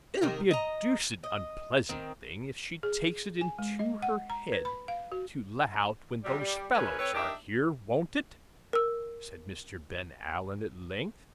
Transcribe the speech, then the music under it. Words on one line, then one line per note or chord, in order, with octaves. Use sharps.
'It'll be a deuced unpleasant thing if she takes it into her head to let out, when those fellows are here, won't it?' said Mr. Ben Allen at length.
C3 D#3 A#3 A#4
D#5 A#5
D#5
D#3 C4
G#4
G#5
G#3
D#5
F#5
A#5
B4
B5
F5
F#4
C3 F#3 G3
G3
G#2 C3 C#4 A#4 B4
C4 A4 B4 C#5
D4 D#4 G4 A#4 E5
A#4 E6